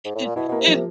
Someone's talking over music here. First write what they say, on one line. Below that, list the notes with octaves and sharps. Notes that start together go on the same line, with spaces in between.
It it
G#2
A2
A#2
B2 E4
B2 A#3
C3
F3
C3